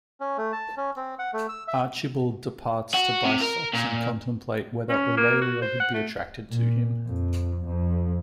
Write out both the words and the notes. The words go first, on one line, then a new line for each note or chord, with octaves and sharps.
Archibald departs to buy socks and contemplate whether Aurelia would be attracted to him.
C#4
A3
A5
C#4
C4
F#5
A3
E6
E5
F#4
C3
A#4
A#2
C#4
A#3
F#4
C5
F#5
A3
A#2
F2
F2